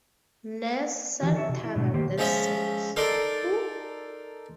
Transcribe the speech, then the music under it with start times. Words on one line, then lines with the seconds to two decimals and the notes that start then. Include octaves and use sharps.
Nurse Sam Taggart then says, Who?
1.21 D#3 E3 C4 F#4 G4
1.35 A4 C#5 E5
1.49 C3 F#4
1.63 E4
1.75 G#2 B2 D3 F#3 A3
1.94 D#3 A#3 G4 C5
2.18 F3 G#3 C#4 D#5 E5
2.96 D#4 A4 A#4 D5 C6